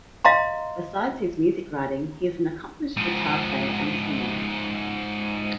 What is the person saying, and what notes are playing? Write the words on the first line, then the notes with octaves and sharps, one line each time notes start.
Besides his music writing, he is an accomplished guitar player and singer.
D#5 F5 A#5 C6
G#2 F3